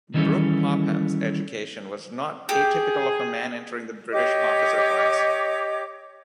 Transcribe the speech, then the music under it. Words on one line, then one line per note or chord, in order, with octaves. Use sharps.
Brooke-Popham's education was not atypical of a man entering the British officer class.
D#3 E3 G3 C#4 G#4 A4
G4 G#4
G4 C#5 D#5 D6